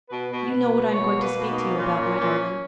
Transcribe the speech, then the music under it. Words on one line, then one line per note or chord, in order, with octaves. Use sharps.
"Do you know what I am going to speak to you about, my darling?"
B2 B4
B2
B2
G3
B2 C#5
A#3
B4
B2
D#4
A#3
A#2 C#4
A#2
A#2